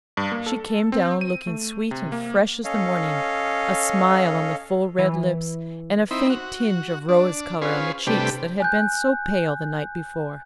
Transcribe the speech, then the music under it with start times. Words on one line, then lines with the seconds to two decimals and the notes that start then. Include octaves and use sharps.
She came down looking sweet and fresh as the morning; a smile on the full red lips, and a faint tinge of rose color on the cheeks that had been so pale the night before.
0.17 G2
0.32 A#3
0.46 A4
0.92 C4
1.21 D#7
1.47 A3
1.91 C3
2.12 A#3
2.64 C#4 A4 C#5 D#5 F5
4.99 E3
6.11 C4 D#4 E4 B5
6.30 F#4
7.09 D4
7.61 C#4 F4 G#4 B4 C5
8.07 C3 G3 A3 D4 G4 B4
8.60 G#5 F#6 G6